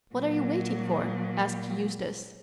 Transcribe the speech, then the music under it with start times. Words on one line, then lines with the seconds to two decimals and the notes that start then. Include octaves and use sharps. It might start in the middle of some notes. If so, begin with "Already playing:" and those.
"What are you waiting for?" asked Eustace.
0.15 A#2 F#3